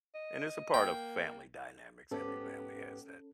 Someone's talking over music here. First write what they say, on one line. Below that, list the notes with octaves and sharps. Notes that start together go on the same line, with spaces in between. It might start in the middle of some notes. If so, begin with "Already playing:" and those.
and it's a part of family dynamics, every family has that.
D#5
A#3 G5
G#2 B3 C#4 G4 A4